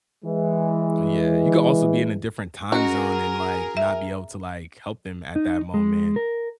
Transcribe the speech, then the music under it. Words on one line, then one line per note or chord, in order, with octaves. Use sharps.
Yeah, you could also be in a different time zone, and, like, not be able to, like, help them at that moment.
E3 G#3
C#4 F#4 G#4 A#4 D#5
E5
D#4
G#3
A#4